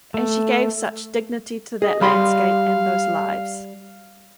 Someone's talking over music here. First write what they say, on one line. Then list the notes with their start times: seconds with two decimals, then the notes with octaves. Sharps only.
And she gave such dignity to that landscape and those lives.
0.14 A3
1.82 G#4 D#5
2.01 G3 F5 B5 C6